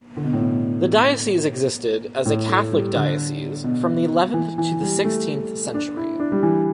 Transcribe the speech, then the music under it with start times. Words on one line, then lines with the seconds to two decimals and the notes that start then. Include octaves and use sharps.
The diocese existed as a Catholic diocese from the eleventh to the sixteenth century.
0.17 D3
0.24 B2
0.33 A2
0.41 B2
2.26 A2
2.48 A3
2.72 G3
2.95 D3
3.64 B2
4.34 E3
4.58 E3
4.81 G3
5.05 A3
5.74 D4
5.97 E4
6.20 D4
6.32 G3
6.43 E3